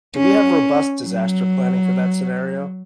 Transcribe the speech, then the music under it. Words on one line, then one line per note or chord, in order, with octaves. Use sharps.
Do we have robust disaster planning for that scenario?
C#4
F#3